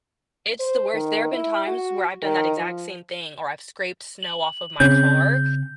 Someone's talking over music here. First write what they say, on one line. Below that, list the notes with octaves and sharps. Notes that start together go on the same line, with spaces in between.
It's the worst. There have been times where I've done that exact same thing, or I've scraped snow off of my car,
C5
D#3
E4
F#4
D#3
F3
F#7
C#3 C4 C#4 G6